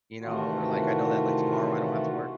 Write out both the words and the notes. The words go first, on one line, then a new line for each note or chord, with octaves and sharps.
you know? Or, like, I know that, like, tomorrow I don't have to work,
C3 D#3 E3 A3 F4 F#4